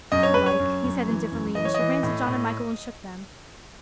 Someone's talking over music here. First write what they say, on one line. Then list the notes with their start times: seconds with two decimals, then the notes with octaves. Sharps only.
"If you like," he said indifferently, and she ran to John and Michael and shook them.
0.12 F#2 D#5
0.23 C#5
0.34 F#2 B4
0.46 C#5
0.59 F#2
0.84 F#2
1.07 E3
1.32 F#2
1.55 E3 D#5
1.65 C#5
1.74 E3 D#5
2.03 A2
2.27 A2